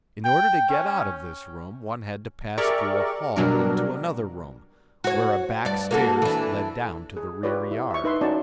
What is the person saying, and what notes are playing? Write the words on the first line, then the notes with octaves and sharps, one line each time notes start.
In order to get out of this room one had to pass through a hall into another room, where a back stairs led down to the rear yard.
G5
C#4
G4 G#4 A#4 D5 E5 C#6
B2 F#3 G3 D4 A#4
F#4 C#5
G2 D5
A#3 F#4 A4
E3 D4
G#4
F4 G4 B4 C#5 D5
E4
E5 C#6
D#4 B4 E5 C6
C#4 D#4 F#4 D5 A5